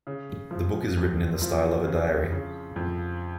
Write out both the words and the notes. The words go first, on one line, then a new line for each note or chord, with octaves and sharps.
The book is written in the style of a diary.
C#3
F3
F2
F3
C#3
C#3
F2